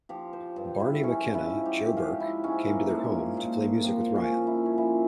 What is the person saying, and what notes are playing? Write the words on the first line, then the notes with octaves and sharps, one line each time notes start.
Barney Mc Kenna, Joe Burke came to their home to play music with Ryan.
F3 G4
C5
G2
E4
F3 C#4
E4
G#2
G4
G4
F3 F4
E4
G#2 C#4
A#3
F3
A#2
F3 C4
C#4
A#2
E4
C#4
F3 E4